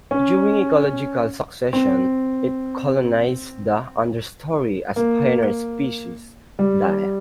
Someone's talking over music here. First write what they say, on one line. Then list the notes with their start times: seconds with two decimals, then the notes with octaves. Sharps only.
During ecological succession, it colonizes the understory as pioneer species die.
0.11 C#4
1.73 C4
4.96 A#3
6.59 G3